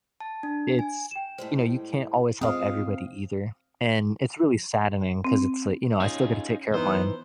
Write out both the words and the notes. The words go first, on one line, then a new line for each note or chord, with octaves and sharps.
it's, you know, you can't always help everybody, either. And it's really saddening 'cause it's like, you know, I still gotta take care of mine.
A5
D4
G#5
G5 E7
A2 G3 G#3 C5
G#3 C4 F4 F5 D#6
C4
C#4 D#4 F4 G#4
E3 B3 D#4 C5